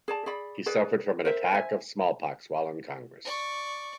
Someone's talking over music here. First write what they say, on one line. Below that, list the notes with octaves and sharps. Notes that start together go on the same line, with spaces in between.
He suffered from an attack of smallpox while in Congress.
G#4 D5 A5
G#4 D5 B5
G#4 B4 D5
A#4 C5 E5
C5 E5 G#5
D5 C#6